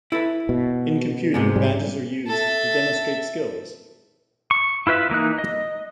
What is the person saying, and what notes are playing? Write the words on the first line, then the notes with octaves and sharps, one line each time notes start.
In computing, badges are used to demonstrate skills.
E4 A4 B4
B2
G#2 C3 G#3
G3
A4 E5
C#6
E4 F4 B4 E5
E3 A#3 D#4 F#6
D#5